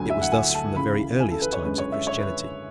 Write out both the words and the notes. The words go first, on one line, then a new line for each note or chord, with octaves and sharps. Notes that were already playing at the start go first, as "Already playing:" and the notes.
It was thus from the very earliest times of Christianity.
Already playing: D2 D3 F#3 G#5
E5
F#5
G#5
A5
C#2 C#3 E3 B5
G#5
A4
B4
C#5
F#2 D3 G#3 B4
C#5
E5
C#5
B4